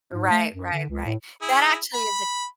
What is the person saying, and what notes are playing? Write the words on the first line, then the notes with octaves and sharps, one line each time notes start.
Right, right, right. That actually is a
G#2
A3
F#2
D3
C#2
A2
E4 G#4
B5